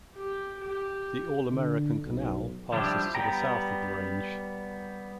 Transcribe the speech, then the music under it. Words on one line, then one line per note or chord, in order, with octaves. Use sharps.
The All American Canal passes to the south of the range.
G4
G4
D3
B1
F3 G3 D4 E4 G4
G3 B3 G5 A#5